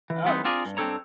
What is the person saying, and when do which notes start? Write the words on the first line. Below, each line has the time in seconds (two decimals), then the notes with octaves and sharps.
Oh, that's a shame.
0.10 E3
0.25 E3 G3 B3 C4 D#4
0.44 C4 D4 F4 G#4 A#4 D5
0.65 G2
0.77 G2 C4 D4 A4 C#5 A#5